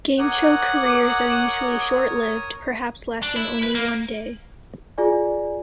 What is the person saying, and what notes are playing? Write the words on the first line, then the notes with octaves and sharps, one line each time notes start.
Game show careers are usually short-lived, perhaps lasting only one day.
A#4 C#5 F#5 D6 D#6
D4
E4
B4
A#3
F4 G#4 D5 G#5